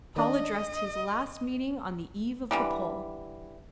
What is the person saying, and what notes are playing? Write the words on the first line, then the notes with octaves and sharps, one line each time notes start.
Paul addressed his last meeting on the eve of the poll.
D#3 D4 D#5
D3 E3 G3